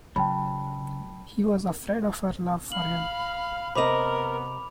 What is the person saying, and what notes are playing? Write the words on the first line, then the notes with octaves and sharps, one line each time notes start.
He was afraid of her love for him.
C#2 F#3 G5 A5 B5
F5 B5 F6 F#7
C3 B3 A#4 D#5 B5 D6 F7